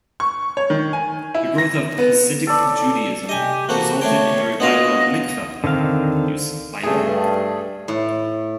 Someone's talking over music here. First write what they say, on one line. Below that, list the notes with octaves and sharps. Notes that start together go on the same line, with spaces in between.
The growth of Hasidic Judaism resulted in a revival of mikveh use by men.
C#6
C#5
D#3
G#5
E4
A#6
B3
A4 D5
C3 G4 D#5 G#5
E3 A#3 C4 F#4 A4
A3 D4 C#5 G5
B3 D4 F#4 D#5 F5
D3 D#3 C4 F5
G2 A3 G#4
A2